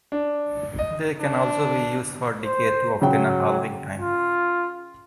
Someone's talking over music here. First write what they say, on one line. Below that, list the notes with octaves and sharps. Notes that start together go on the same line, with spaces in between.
They can also be used for decay to obtain a halving time.
D4
D#5
D4
C5
C#3 F#3 G5
F4